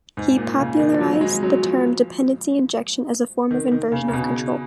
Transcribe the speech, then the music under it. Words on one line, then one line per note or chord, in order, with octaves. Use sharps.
He popularized the term Dependency Injection as a form of Inversion of Control.
G#2
A#2
C#3
D#3
F3
F#3
F#3
G#3
F#3
F3
D#3
D#3
C#3
C#3
B2